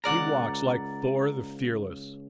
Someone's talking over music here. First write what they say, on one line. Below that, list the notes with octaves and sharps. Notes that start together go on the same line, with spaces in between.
"He walks like Thor the Fearless."
C#2 A#4 D5 F#5 A#5